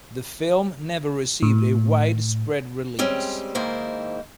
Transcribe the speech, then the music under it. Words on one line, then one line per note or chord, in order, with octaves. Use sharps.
The film never received a widespread release.
A2
G3 G#3 C4 C#4
G#2 D#3 A#3 E4 C5